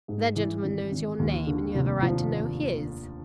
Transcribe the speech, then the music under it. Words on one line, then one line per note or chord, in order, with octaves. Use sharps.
That gentleman knows your name, and you have a right to know his.
G#2
E3
G#1
G#1
D#2
D3
F1
F3